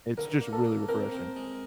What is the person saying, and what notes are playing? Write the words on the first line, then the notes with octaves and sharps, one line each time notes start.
It's just really refreshing.
D3 A#4
A#3
A4
A#3
C4 A#4
C4
G#3